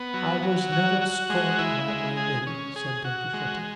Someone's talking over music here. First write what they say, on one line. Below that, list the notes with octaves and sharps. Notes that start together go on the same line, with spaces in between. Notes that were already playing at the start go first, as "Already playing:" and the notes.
"I was never scorned by my lady," said Don Quixote.
Already playing: B3
F#3
F#3
F#4
F#4
G#3
E4
G#3
G#4
C#4
G#4
F#4
G#3